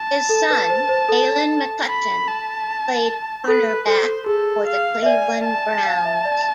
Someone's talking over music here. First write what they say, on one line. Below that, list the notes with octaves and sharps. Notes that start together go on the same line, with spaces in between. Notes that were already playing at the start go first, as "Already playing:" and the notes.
His son Daylon McCutcheon played cornerback for the Cleveland Browns.
Already playing: A5
A4
B4
C5
C5
A4
B5
A5
A4 B4
A4 C5
G#4 A4
F5
E5
D5 G#5
A5
F5
E5
D5